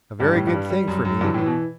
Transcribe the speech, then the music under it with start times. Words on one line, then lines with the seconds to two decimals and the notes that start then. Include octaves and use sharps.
A very good thing for me.
0.19 G2 G3
0.33 A2 G3
0.47 G2
0.54 G3
0.70 G3
0.88 F#2
1.05 F#2
1.21 G2 E3
1.34 A2
1.38 E3
1.46 B2